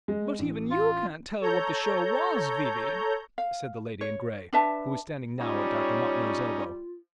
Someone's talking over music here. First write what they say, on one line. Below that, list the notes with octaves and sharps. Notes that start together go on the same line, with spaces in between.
"But even you can't tell what the show was, V.V." said the lady in grey, who was standing now at Dr. Martineau's elbow.
G#3
A1
F4
A4 C#5 A#5 G6
F5
C#5
D4 B4 E5 A5
G3 C#4 D#4 F4 C#5